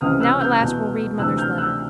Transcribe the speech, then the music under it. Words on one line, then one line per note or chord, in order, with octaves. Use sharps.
Now at last we'll read mother's letter.
C#2 C3 E3 D#6 F6
E6 F#6
F6 G6
E2 B2
D2 C3 E3 E6 F#6
F6 G6
E6 F#6